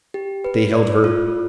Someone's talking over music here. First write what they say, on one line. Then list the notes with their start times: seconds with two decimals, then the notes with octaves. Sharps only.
They held her.
0.14 G4
0.44 B4
0.74 D5
1.04 F4